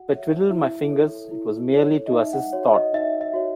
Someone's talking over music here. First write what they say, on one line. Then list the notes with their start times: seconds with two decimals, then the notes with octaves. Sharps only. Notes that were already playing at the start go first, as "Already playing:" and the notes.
If I twiddled my fingers, it was merely to assist thought.
Already playing: F#4 F#5
0.09 C#5 E5
0.50 E4 E5
0.90 A4 C#5
1.31 E4
1.72 A4 C#5
2.07 D#5
2.12 D#4 E5
2.33 F#5
2.53 F#4 C#5
2.74 D#5
2.93 D#4 E5
3.21 E5
3.34 F#4 C#5